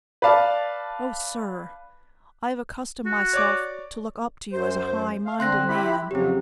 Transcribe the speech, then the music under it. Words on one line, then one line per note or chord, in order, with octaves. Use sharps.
Oh, sir, I have accustomed myself to look up to you as a high-minded man.
B4 D5 F5 A5
F#4
C#5 D5 D6
F#2 C5
F5
D3 C4 C6 F#6 A#6
E4 G4 B5
F2 C#3 F#3 C4 G4